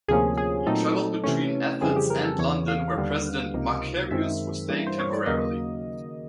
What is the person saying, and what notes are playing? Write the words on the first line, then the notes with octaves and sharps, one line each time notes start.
He travelled between Athens and London where President Makarios was staying temporarily.
D2 C3 F3 A#3 C#4 G#4
G#4
A#2 F#3 A3 C4 D#4 A4
C3 E3 A3 C#4
F2 C#3 E3 G3 C4 G#4
G4
A#4
A4
E2 C#3 E3 C#5
F5
D#2 D3 G3 B3 D4
C#2 C3 F3 A#3 D#4
F#2 D#3 G#3 C4 E5
G2 E3 G3 A#3
C5
C#5
D5
D#2 C#3 F#3 A#3 D#5